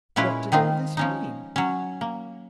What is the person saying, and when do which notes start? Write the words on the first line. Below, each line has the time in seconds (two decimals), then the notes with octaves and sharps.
What did all this mean?
0.16 A#2 G#3 C#4 E4 F4 B4
0.52 D#3 C4 D#4 F4
0.97 F3 C#4 D#4
1.56 F#3 C#4
2.01 A#3